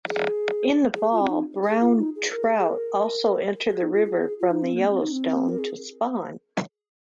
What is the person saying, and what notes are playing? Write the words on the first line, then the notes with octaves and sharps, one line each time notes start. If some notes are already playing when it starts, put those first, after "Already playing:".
In the fall, Brown Trout also enter the river from the Yellowstone to spawn.
G#4
G#4
F4
C4
D#4
G#4
F4
D#4
G#4
A#4
G#4
G#4
A#4
G#4
D#4
F4
G#4
G#4
F4
D#4
C4
A#3
C4
D#4
C4
A#4
G#4